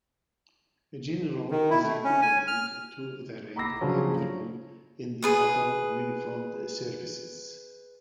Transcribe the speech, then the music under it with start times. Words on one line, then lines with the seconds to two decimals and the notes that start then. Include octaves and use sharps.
General is equivalent to the rank of admiral in the other uniformed services.
1.51 D#3
1.70 E4
1.83 A3
2.04 C#4
2.22 G#5
2.47 F6
3.56 A#5 B5 D6 E6 A#6 C7
3.81 C#3 F3 F#3 C#4 D4
5.22 G#4 B4 D#6